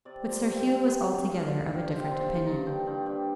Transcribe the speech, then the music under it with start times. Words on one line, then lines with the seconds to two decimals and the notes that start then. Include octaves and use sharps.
But Sir Hugh was altogether of a different opinion.
0.05 C3 D5
0.25 F3
0.31 A#5
0.46 C3
0.58 G5
0.65 A#3
0.85 G2 G5
1.06 G3
1.25 G2 F5
1.45 A#3 D5
1.65 C3 F5
1.86 F3
1.93 G5
2.06 C3 C5
2.19 D5
2.26 A#3
2.46 G2 A#5
2.66 D3 G5
2.86 G2 G5
3.06 G3 G5